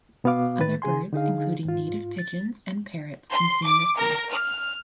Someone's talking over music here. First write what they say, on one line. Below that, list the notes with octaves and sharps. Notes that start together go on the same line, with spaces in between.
Other birds including native pigeons and parrots consume the seeds.
B2 B3 F#4 F5 D6
A2 D#3 B4 A6
C#3 G#4 G#5 C6
D3 D#4 G#4 F5
G#2 F4
A6
C6
D6
A#4
F6